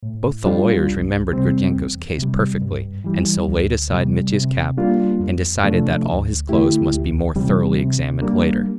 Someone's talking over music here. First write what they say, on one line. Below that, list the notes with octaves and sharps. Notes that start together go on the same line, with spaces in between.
Both the lawyers remembered Gridyenko's case perfectly, and so laid aside Mitya's cap, and decided that all his clothes must be more thoroughly examined later.
A2
G3 D4 F4
C2
C3 G3 C4
E2
C3 G3
G2
E3 G3
D2
C3 G3
C3
G3 A#3 D4 F4
F2
C3 F3 A3 D4
D2
D3 A3 E4 G4
D2
C3 E3 G3 C4
C3
G3 A#3 D4